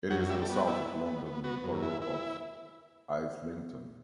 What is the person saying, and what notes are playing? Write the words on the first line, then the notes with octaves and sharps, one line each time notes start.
It is in the south of the London Borough of Islington.
F#2 F#5
G3 E5
A4
B3
F#4
B3 E4
B3
B3
B3
B3 F#4
F#2
E4
E4